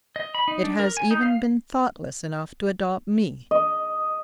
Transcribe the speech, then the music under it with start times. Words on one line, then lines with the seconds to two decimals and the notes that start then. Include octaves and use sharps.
"It has even been thoughtless enough to adopt me."
0.16 D#5
0.35 B5
0.48 D#4
0.64 D4
0.80 A#4
0.97 G#5
1.11 D#4
1.23 F5
3.51 D#5